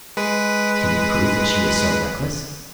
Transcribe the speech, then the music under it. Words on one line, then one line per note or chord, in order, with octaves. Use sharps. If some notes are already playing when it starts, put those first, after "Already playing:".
"Can you prove that she was so reckless?"
G#3 B4